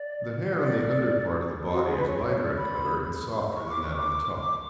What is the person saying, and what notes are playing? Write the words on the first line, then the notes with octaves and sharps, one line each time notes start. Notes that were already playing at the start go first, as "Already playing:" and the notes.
The hair on the under part of the body is lighter in colour and softer than that on the top.
Already playing: D5
D5
F#4
G#4
B4
C#5
C#5
D5
B5
C#6
D6
C#6
D6
D6